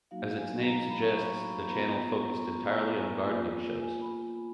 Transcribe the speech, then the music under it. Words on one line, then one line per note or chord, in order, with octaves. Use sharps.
As its name suggests, the channel focused entirely on gardening shows.
F#3 A#3 D#4 F#4 F5
G#5
A#5
B5
C#6
B5
B3 F4 A#5
B5
C#6
G#5
G#5
A#3 F4 G#5
G#5
G#5
B5